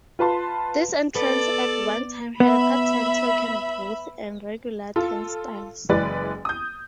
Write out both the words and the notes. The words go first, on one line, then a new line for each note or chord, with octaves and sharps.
This entrance at one time had a part-time token booth and regular turnstiles.
F4 B4 A5 C6
B3 A4 D5
B3 E5 B5
F4 A4
F#1 E3 G#3 B4 D5 A6
D#6 G6